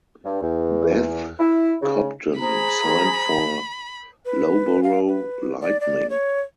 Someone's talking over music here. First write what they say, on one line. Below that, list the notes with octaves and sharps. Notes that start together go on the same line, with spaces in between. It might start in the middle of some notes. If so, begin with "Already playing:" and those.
Beth Cobden signed for Loughborough Lightning.
G2
E2
E4
C#3
G#4 C5 A#5 B5
B4
F5
B4
D5
D5
C#5